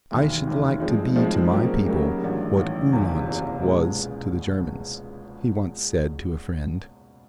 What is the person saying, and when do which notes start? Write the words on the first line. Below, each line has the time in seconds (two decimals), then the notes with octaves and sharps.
"I should like to be to my people what Uhland was to the Germans," he once said to a friend.
0.11 E1 D#2 D#3
0.45 E1 D#2 D#3
0.80 A2 F3 G#3 C4 D#4
1.15 A2 F3 G#3 C4 D#4
1.51 C#3 F#3 A#3 D#4 G4
1.86 C#3 F#3 A#3 D#4 G4
2.21 A1 G2 D#3
2.57 A1 G2 D#3
2.91 F#1 E2 C3
3.26 F#1 E2 C3
3.62 C#2 B2 G#3